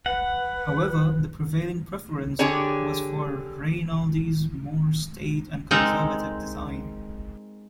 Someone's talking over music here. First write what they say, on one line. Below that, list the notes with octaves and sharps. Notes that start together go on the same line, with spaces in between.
However, the prevailing preference was for Rainaldi's more staid and conservative design.
B4 F#5
D3 D4 G4 G#4 C#5
G#3 C4 D#4 A4 A#4